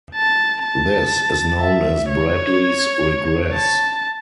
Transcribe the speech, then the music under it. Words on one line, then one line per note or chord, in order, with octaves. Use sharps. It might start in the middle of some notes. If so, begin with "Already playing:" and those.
This is known as Bradley's regress.
A5
A5
E5
C#5
A5